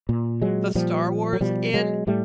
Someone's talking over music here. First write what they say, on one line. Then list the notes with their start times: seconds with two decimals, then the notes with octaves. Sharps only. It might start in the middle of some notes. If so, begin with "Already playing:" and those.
the Star Wars, and,
0.09 A#2
0.42 F#3 G#3
0.75 A#2 F3 G3
1.33 F#3
1.41 B2 F3 G3
1.74 F#3 G#3
2.07 A2 G3 A3